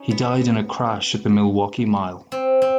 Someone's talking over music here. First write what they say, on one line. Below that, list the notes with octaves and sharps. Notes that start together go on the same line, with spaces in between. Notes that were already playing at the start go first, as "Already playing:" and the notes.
He died in a crash at the Milwaukee Mile.
Already playing: C#4 D#4
B3
C4
C4